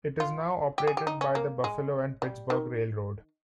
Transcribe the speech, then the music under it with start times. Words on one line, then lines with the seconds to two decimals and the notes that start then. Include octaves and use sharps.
It is now operated by the Buffalo and Pittsburgh Railroad.
0.20 F4
0.78 G4
0.87 G#4
0.97 G4
1.07 D#4
1.21 C#4
1.35 A#3
1.64 G#3
2.22 G3
2.50 D#3